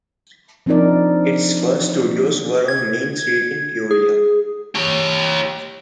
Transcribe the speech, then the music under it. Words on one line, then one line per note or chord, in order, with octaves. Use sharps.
Its first studios were on Main Street in Peoria.
F3 C4 D4 D#4 A#4 D5
G#6
G#6
G#4
G4 C#5